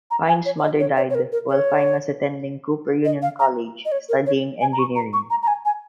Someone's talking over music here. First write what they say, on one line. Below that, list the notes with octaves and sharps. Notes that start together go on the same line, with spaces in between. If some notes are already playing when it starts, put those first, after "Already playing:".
Fine's mother died while Fine was attending Cooper Union college, studying engineering.
A#5
G#5
C#5
C#5
D#5
C#5
C#5
C#5
A#4
A#4
C#5
D#5
F5
A#5
D#5
C#5
A#4
C#5
G#5
A#5
C#6
A#5
C#6
A#5
A#5
G#5
G#5